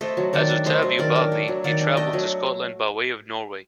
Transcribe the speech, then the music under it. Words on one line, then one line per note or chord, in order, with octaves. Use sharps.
As "Ottavio Baldi" he travelled to Scotland by way of Norway.
A3 C5 D#5
F#3
D#3 D5 F#5
D4
A3 C5 D#5
F#3
D#3 A#4 D5
D4
A3
F#3
D#3 D5 F#5
D4
A3 D#5 G5
F#3